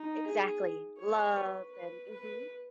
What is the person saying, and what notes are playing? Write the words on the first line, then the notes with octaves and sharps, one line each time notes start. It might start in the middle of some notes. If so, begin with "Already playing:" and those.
Exactly. Love and mhm.
Already playing: D#4
G#4
C#5
B4
B4
B4